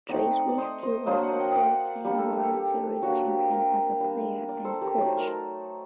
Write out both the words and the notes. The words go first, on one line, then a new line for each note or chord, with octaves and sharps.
Tracewski was a four-time World Series champion as a player and coach.
A3 C4 D#4 D5 F#5
D5
C5 D#5
C5 D#5
F#3 A#3 D4 C5 D#5
D5 F#5
F#5
D#5 G5
D5 D#5 F#5
G3 A#3 D4 G4
A4
G4
A4
G4
F#3 A#3 D4 F#4
G4
G4 A#4
G3 D4
A#4 D5
A4 C5
G4 A#4
F#3 A3 D#4 D5
C5
A#4
A4 C5